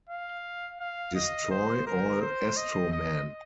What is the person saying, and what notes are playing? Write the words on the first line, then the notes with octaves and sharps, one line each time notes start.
Destroy All Astromen!
F5
F5
D#5
C5
A#4
C5
D#5
D#5